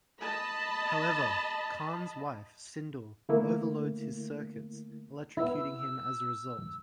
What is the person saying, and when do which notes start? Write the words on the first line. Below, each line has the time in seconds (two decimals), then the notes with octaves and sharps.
However, Kahn's wife, Sindel, overloads his circuits, electrocuting him as a result.
0.20 D#5 A5 B5
3.29 D3 A3 A#3 E4
5.37 B3 E4 E6